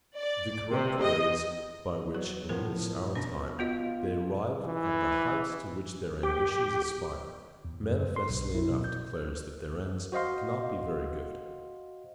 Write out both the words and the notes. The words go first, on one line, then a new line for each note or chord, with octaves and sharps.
The corrupt ways by which in this our time they arrive at the height to which their ambitions aspire, manifestly enough declares that their ends cannot be very good.
D5
C3
D#5
F#3 B4
A2 F3 B3 A#4 C5
B2 C#4 D4
B3 F4 F#4 D#5
E3
G4
E2
F#2
C5
C6
B1
E4
B2
G6
F#4 C5 D#5 F5 C6